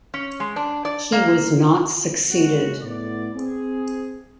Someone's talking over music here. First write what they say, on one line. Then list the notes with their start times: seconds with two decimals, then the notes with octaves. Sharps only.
He was not succeeded.
0.14 C#4
0.40 G#3
0.56 D4
0.85 D5
1.12 A#3
2.29 F#1 G#3 F#4
2.81 A2 B3 D5
3.34 C4 G#4